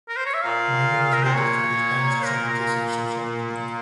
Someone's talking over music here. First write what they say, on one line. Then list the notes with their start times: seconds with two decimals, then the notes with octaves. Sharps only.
Michael is noted for his dance challenges on social media.
0.08 A#4
0.17 C5
0.26 C#5
0.34 E5
0.42 A#2 F5
1.13 A#4
1.23 C3 C5
1.34 A#2 C#5
2.25 A#4
2.49 A#4